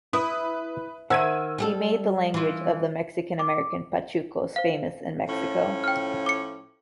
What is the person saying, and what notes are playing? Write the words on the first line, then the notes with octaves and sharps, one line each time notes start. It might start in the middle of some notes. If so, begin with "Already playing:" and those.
He made the language of the Mexican American pachucos famous in Mexico.
E4 B4 D#6
D#3 C5 E5 F#5 E6 G#6 D#7
G3 G4 A4
E3 F4
D6
C5 F5
A2 F3 C#4
G5 F6
D6 C#7